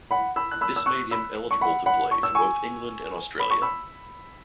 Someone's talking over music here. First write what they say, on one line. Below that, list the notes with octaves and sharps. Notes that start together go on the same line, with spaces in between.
This made him eligible to play for both England and Australia.
F#5 B5
B5 E6
F#6
B5 E6
E6
C#6 F#6
B5 E6
C#6
F#5 B5
F#5 B5
C#6
E6
G#5 C#6
B5
C#6
B5 E6